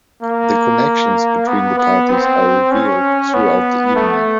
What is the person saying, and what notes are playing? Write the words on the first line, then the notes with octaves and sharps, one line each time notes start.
The connections between the parties are revealed throughout the evening.
A#3
B3
B3
C4
C#4
B3
A3